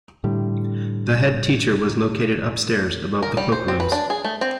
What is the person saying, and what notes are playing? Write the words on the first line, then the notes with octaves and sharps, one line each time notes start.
The head teacher was located upstairs above the cloakrooms.
A2 D3 G3
A#4
G3
C5
C4
B4
D4
G#4
A3
C4